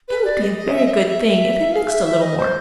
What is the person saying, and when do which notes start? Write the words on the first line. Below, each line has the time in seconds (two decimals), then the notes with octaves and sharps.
It would be a very good thing if they mixed a little more.'
0.08 B4
0.25 D5
0.41 D#5
0.58 D#5
0.74 E5
0.86 D#5
0.90 E5
1.07 E5
1.23 E5
1.72 F5
1.89 E5
2.05 E5
2.21 D#5
2.38 C5